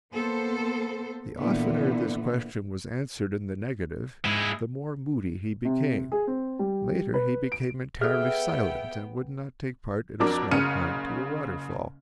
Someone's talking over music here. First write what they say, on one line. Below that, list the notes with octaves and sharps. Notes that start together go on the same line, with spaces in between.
The oftener this question was answered in the negative, the more moody he became; later he became entirely silent and would not take part in a small climb to a waterfall.
A#3 B3 A4 C5
A#2 D3 E3 B3
G#2 G#3 E4
C3
G#4
C4
G3
B4
D7
B3 G#4 A4 E5 G5 F6
F2 F#3 D4 A#4 D6
F#1 C#3 F6 C#7 D#7